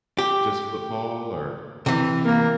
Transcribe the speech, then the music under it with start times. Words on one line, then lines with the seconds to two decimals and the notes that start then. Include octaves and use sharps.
just football or
0.18 G4
1.86 C3 E3
2.25 A#3